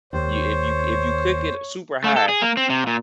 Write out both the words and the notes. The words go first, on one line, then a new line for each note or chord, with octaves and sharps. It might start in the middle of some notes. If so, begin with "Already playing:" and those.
You if you c if you cook it super high,
D#2 C5 C#5
A3
A4
G#4
A#3
C4
C3
A#2